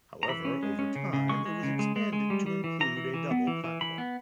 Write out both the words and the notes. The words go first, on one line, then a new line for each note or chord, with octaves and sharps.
However, over time it was expanded to include a double platform.
A#5
E3 B5
C#4
G#3
C#4
C#3
C#3
G#3 C#6
G#3
C#3
G#3
G#3
G#3
G3
G3
E3
E3 A#5
E3
E3
B3
E3
E3
E3 B5
B3